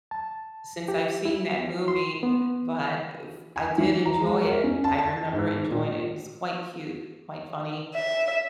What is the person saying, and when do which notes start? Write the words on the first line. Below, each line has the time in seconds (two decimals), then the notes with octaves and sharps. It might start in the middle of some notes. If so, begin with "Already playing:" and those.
since I've seen that movie, but, uh, f I did enjoy it. I remember enjoying it. It was quite cute, quite funny,
0.11 A5
0.88 G4
1.25 E4
1.88 C6
2.23 B3
3.56 G#5
3.78 E3
4.05 A#5
4.20 G#3
4.43 A#4
4.64 C#4
4.84 A5
4.99 A5
5.33 G#2
5.71 A#2
7.94 E5